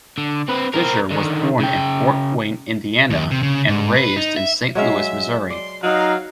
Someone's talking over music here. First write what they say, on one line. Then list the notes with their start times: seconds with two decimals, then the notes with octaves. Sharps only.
Fischer was born in Fort Wayne, Indiana, and raised in Saint Louis, Missouri.
0.18 D3
0.49 C4 B4
0.74 C4 A#4
1.11 D3 D#3
1.59 C#3 G5
3.10 D#2
3.31 C3
3.43 C#3
3.68 G#2
3.96 B4
4.16 D#4
4.37 E5
4.75 F#3 G#3 E5 F5
5.50 D5 C6
5.83 F#3 D#4 F5